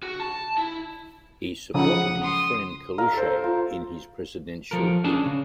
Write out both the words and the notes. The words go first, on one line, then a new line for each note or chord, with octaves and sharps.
He supported his friend Coluche in his presidential bid.
F#4
A5
E4
C#3 F3 F#5 D#6
C6 D#6
A#4 F5
A4 C5
F4
F3 A4 A#4
C#4 D4 G#4 A5
C#3